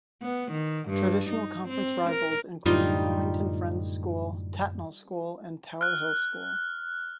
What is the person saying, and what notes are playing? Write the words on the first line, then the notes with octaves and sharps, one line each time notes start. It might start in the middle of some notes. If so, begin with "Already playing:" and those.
Traditional conference rivals include the Wilmington Friends School, Tatnall School, and Tower Hill School.
B3
D#3
G2
D#4
C4
A#4
F#2 A2 D3 G3 D#4 F4
F6 F#6